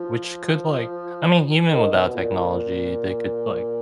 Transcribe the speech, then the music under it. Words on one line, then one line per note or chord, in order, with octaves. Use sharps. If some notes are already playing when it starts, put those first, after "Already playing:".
which could, like I mean, even without technology, they could, like,
Already playing: F3
D#3
B2
A#2
A#2